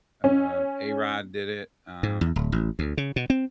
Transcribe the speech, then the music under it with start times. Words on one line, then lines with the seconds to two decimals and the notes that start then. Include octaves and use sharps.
uh, A-Rod did it, um,
0.24 C#4
2.03 G#2
2.21 E2
2.36 D1
2.52 A1
2.79 D2
2.97 C#3
3.16 B2
3.30 C4